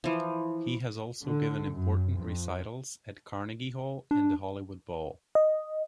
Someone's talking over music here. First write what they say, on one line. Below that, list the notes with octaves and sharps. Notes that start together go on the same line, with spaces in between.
He has also given important recitals at Carnegie Hall and the Hollywood Bowl.
E3 F3
D3
F#2
F2
D4
D#5